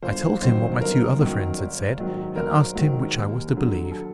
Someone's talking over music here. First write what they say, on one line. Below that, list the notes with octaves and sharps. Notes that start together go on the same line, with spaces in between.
I told him what my two other friends had said, and asked him which I was to believe.
G1 C5
F#2 D#3 F#3 C5
G1 A#4
F#2 D#3 F#3
G#1
G#2 D#3 F#3
G#1 A#4
G#2 D#3 F#3
D#2
D3 F#3
A4